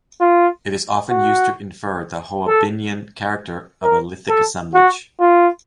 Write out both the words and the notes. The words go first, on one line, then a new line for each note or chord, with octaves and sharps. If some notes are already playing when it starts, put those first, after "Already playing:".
It is often used to infer the Hoabinhian character of a lithic assemblage.
F4
F#4
A4
A#4
A4
F#4
F4